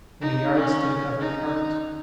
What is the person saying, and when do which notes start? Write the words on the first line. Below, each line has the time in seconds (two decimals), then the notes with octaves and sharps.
In the yard stood a covered cart.
0.22 D#4
0.56 C#4
1.21 D#4